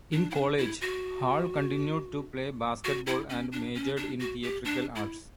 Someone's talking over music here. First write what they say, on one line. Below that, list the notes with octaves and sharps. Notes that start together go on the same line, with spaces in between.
In college, Hall continued to play basketball and majored in Theatrical Arts.
D4
E4
D4
E4
F#4
F#4
E4
C#4
D4
C#4
D4
F#4
G4
D4
E4